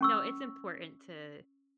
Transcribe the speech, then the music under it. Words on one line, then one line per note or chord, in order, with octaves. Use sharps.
No, it's important to
C#4 C#6 E6